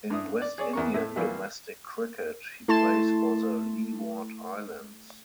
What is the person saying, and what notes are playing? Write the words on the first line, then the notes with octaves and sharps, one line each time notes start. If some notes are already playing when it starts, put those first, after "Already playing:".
In West Indian domestic cricket he plays for the Leeward Islands.
G2 E4 D#6
D5
G#4 C#5 D5
E2 A#4 C#6
A2 A3
E3 F#3 G3 A#3 F4
A3 E4 A5 C6 A6 E7